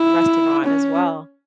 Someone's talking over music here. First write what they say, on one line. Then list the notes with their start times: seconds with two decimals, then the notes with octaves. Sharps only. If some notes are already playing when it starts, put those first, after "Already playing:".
restaurant as well
Already playing: E4
0.64 C#4